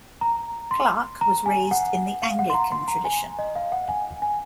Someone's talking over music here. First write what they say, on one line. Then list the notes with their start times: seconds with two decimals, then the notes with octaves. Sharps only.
Clark was raised in the Anglican tradition.
0.21 A#5
0.71 C6
1.21 A#5
1.46 G#5
1.71 F#5
2.22 F5
2.39 F#5
2.50 C6
2.54 A#5
2.72 C6
2.88 A#5
3.05 G#5
3.39 D#5
3.56 F5
3.72 F#5
3.89 G#5
4.22 G#5